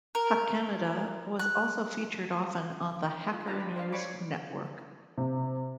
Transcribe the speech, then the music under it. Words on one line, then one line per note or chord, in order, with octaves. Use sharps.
Hackcanada was also featured often on the Hacker News Network.
A#4
F#6
F4
D4 F4 G4 B4 A5 A#5
B5
C5 D5 F5
C#5 D5 G#5 B5 C#6 D6
C3